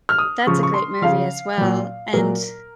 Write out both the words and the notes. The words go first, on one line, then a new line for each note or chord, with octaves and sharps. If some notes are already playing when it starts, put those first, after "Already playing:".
That's a great movie as well and
F6
D#6
C#3 F3 C#6
C#6
C6
C#3 F3 F5
A#2 F#3
A#2 F#3 A#4